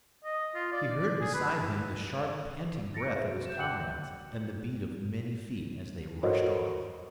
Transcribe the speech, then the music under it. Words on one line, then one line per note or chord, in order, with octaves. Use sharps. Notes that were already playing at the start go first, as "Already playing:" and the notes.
He heard beside him the sharp, panting breath of his comrades, and the beat of many feet as they rushed on.
D#5
F4
D5
D5
G#4
B4
A6 A#6 C#7 D7
G#4 B4 C5 E5
F#4
G6 E7
F#5 G5 F#6 G6 C#7 F#7
F#4 A4 A#4 C5 C#5 D#5